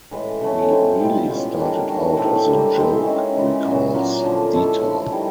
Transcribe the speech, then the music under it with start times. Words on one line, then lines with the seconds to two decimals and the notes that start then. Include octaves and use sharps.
"We really started out as a joke," recalls Detar.
0.11 A2 E3 G#3
0.41 C#3 F#3 A3 C#4
0.70 G#3 C4 E4
0.99 B2 G3 C4 F4
1.30 A2 E3 G#3 C#4
1.59 D#3 G3 A#3 D4
1.88 D#3 F#3 A3 D4
2.17 A2 E3 A3 C4
2.47 D3 G3 A#3
2.76 E3 G#3 C4
3.06 D#3 G#3 C#4
3.36 C#3 E3 G#3
3.64 A#2 F#3 B3
3.94 F#3 A#3 C#4 F4
4.23 D3 F3 A#3
4.53 G#3 C#4 E4 A4
4.82 D3 F3 A3
5.12 D#3 G3 C4 E4